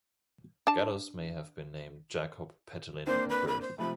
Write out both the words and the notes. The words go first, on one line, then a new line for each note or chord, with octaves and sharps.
Gallus may have been named "Jakob Petelin" at birth.
D4 A5
A#3 C4 D4 C5
B4
B5
C5
C3 F3 A3 B5